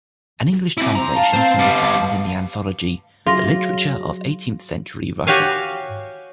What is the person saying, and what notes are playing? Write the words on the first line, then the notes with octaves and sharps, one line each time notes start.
An English translation can be found in the anthology "The Literature of Eighteenth-Century Russia".
C4 E4
C5 A#5
F5 A5
C4 C5
G3 B3
F#3 F4 G#4 C6 A#6
F#4 G4 C#5 F5 G#5